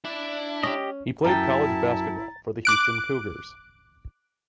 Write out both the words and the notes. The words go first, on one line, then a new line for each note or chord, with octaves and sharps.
He played college basketball for the Houston Cougars.
D4 E4 D5
C#4 G4 D#5
F#2 E4 G5 A5 A#5 A6
D6 F#6 D7